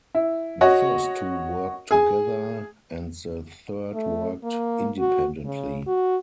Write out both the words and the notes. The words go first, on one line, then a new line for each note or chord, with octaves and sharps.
The first two worked together, and the third worked independently.
E4
F#4 C#5 D#5 F#5
G#4 G#5
A3
A#3
F#4
C#3
F#4